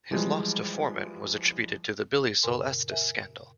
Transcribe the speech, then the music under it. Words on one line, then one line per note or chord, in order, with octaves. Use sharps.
His loss to Foreman was attributed to the Billie Sol Estes scandal.
E3 F3 G3 G#3
F#2 A#2 C#3 A#4 G#5 C6
A#4 E5 G#5